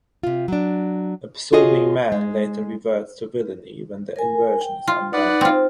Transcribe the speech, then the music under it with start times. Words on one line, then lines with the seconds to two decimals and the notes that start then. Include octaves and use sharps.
Absorbing Man later reverts to villainy when the inversion is undone.
0.23 C3 F4
0.48 F#3 D4
1.53 F4 F#4 G#4 C#5 D#5
2.12 G#3
4.16 A#4 G#5
4.61 G5
4.88 F4
5.13 D#4 B4 D5 F#5
5.41 C4 F4